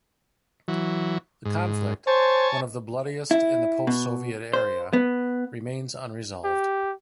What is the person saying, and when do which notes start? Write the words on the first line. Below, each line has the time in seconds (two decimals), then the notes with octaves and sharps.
The conflict, one of the bloodiest in the post-Soviet area, remains unresolved.
0.68 E3 F#3
1.45 G#2
2.07 C5 C#5 G#5 A5
3.31 E4
3.87 B2
4.53 C5
4.93 B3
6.45 G4